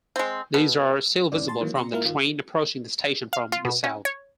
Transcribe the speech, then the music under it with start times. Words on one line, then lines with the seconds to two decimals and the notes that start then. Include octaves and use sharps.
These are still visible from the train approaching the station from the south.
0.16 G#3 C4
0.54 B2
1.32 E2 G#2 E3 C#4 D5
1.48 A2 A5 C6 A6
1.61 D#3 E3 F#3 G#3 A#3
1.74 C3 A#5 C6 C#7
1.93 G#2 A#3 E4 F4 A#4 F6
2.04 G1 D#3 F4
3.33 F5
3.52 F4
3.65 B2
3.84 C#4
4.05 C#5